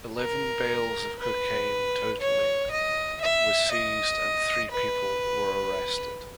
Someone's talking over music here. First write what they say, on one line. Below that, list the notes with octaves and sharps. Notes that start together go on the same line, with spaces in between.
Eleven bales of cocaine, totaling was seized and three people were arrested.
A#4
B4
C#5
D#5
E5
D#5
B4